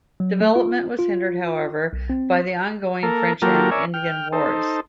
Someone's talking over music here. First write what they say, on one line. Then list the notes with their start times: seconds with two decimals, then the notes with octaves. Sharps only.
Development was hindered, however, by the ongoing French and Indian Wars.
0.20 F#3
0.41 A3
0.56 F4
0.99 F4
1.93 B1
2.10 C4
3.03 A#3 A4 A#4
3.42 F#3 A#3 F4 G4 A4 A#4
3.71 A#4 C#5 D5 E5 G#5
3.94 G5 F6
4.32 D#4 A4 C5